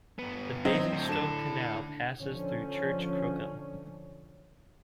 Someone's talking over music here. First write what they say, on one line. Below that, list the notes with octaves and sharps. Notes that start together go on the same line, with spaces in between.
The Basingstoke Canal passes through Church Crookham.
G2 B3
F#3 C4 D#5
A2 D3
D3 E4 A5 E7
D3 F3 C#4